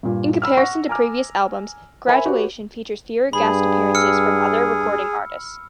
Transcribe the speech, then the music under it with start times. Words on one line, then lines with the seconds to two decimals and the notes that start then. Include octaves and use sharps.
In comparison to previous albums, "Graduation" features fewer guest appearances from other recording artists.
0.03 G2 A#2
0.42 B5 E6 F6
0.57 F#5 C#6 A#6
0.89 G#5 A#5 D6 F6
2.07 A#4 C5 E5 G#5 B5
2.25 F#4 G4 B4 C#5
3.33 G2 G#4 B5
3.95 E6 F6 C#7